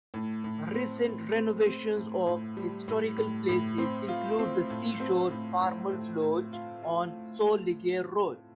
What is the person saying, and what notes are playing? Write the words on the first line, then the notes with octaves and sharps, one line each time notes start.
Recent renovations of historical places include the Seashore Farmer's Lodge on Sol Legare Road.
A2
A2
C4
A2
C4
C4
A2
A2
G3
A2
A2
A2
C4
F4
C4
A2
C4
A2
A2
A2
A2
F4
F4